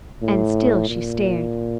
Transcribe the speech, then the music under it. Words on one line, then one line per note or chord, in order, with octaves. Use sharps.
And still she stared.
A2
A#2